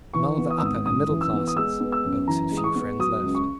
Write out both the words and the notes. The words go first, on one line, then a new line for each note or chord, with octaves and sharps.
Among the upper and middle classes Oates had few friends left.
E3 C#6
B3
D#6
E6
G#1 D#6
F#2 D#6
E3
E6
B3
D#6
G#3 E6
B3
E6
F#2
E3 A#5
G#3
D#6
C#6
B3
F#3 D#6
C#2
C#6